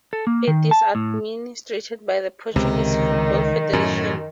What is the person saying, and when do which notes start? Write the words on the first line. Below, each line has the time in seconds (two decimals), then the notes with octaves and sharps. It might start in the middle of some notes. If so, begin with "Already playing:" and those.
It is administrated by the Portuguese Football Federation.
0.13 A4
0.27 A#3
0.48 D#3
0.71 A5
0.95 A2
2.56 C#2 C3 D#3
3.73 F#2 A2